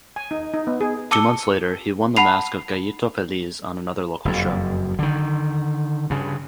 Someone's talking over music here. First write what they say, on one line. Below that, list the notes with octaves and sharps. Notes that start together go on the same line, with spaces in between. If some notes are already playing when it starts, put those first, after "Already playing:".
Two months later he won the mask of Gallito Feliz on another local show.
G#5
D#4
D#4
B3
G#4
A5 D6 E6 C#7 G7
F#5 A5 B5 C7 F7
F#1 F2
D3 D#3
G2 C#3